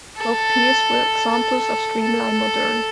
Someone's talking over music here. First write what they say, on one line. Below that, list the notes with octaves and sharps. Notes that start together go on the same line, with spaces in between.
Both piers were examples of Streamline Moderne.
A4
A4
A4